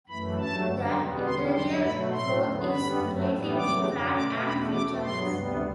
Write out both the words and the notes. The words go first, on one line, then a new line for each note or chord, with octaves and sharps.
The interior floor is relatively flat and featureless.
F#2 E3 A3 B5
G2 F#3 A3 A5
F#2 D3 G3
E2 B2 G3 B3
E2 D3 G3 C6
G2 D3 F#3 C6
B2 F#3 A3 B5
A2 F#3 A3 C6
E2 D3 F#3 B3
G2 D3 G3 B3 B5
F#2 F#3 A3
A2 E3 G3 B3
E2 C3 F#3 A3 D6
F#2 D3 F#3
B2 A3 D6
E2 B2 A3 B5
B2 A3 D6
G2 F#3 B3 C6
D2 C3 G3 B3